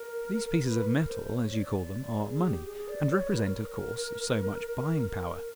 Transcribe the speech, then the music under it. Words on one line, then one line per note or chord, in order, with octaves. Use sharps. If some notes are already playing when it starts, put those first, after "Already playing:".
These pieces of metal, as you call them, are money, and represent, of course, so much buying power.
Already playing: A#4
B4
A#4
C5
C#5
D5
D5
D5
G#4
G4
G#4
D5
C#5
B4
A#4